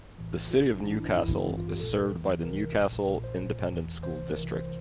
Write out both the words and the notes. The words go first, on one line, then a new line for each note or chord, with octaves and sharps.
The City of Newcastle is served by the Newcastle Independent School District.
A#1 A2 E3
A#1 A#2 F4
D4
A#1 A2 E3 D4
E4
D4
A1 G2 E3 E4
D4
A1 G2 E3 C4
F4
G4
A#1 A#2 A4
E2 E3
C2 C3 E3 A#4
A#1 A#2
A#1 A#2 A#4
C5
C2 A#2
E2 E3
C2 C3 E3 C5
C2 C3 E3 A#4
C5